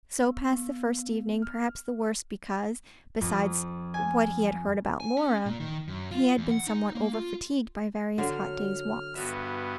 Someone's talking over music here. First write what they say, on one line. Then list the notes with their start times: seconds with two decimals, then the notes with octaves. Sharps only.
So passed the first evening; perhaps the worst because, besides what he had heard about Laura, he had been somewhat over-fatigued by various hot days' walks.
0.22 B3
0.53 B3
1.42 F6
3.21 F2
3.94 G#5
5.00 G#5
5.17 C#4
5.46 A#2
5.60 D#3
5.88 F#2
6.11 F4
6.38 E2
6.51 F#5
6.67 D#4
6.95 A#3
7.13 F4
8.18 D3 F#3 C#5 F6
9.15 G2 B3 F#4 E5